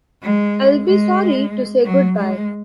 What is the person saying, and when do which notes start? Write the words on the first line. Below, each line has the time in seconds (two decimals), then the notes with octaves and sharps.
I'll be sorry to say goodbye.
0.22 G#3
0.87 G#3
1.85 F#3
2.18 G#3